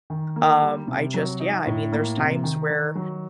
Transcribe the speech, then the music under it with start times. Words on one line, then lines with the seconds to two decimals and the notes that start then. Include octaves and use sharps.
um, I just yeah, I mean, there's times where
0.10 D#3
0.36 A#3
0.62 G3
0.88 C3
1.14 F#3
1.40 D#4
1.66 A2
1.92 A#3
2.17 C3
2.44 D#3
2.70 D#3
2.95 F#3